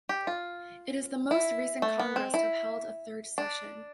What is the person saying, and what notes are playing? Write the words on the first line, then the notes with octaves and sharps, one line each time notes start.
It is the most recent Congress to have held a third session.
G4
F4
E4
A3
B3
C4
E4
D4